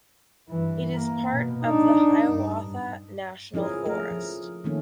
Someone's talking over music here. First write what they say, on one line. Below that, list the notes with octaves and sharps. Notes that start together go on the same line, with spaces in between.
It is part of the Hiawatha National Forest.
G2 E3
A#3
B2
D4 D#4
G2
F3 C#4 E4 G#4 A#4
A3 G#4 A#4
F3
D#3 F3 A3 A#3 C#4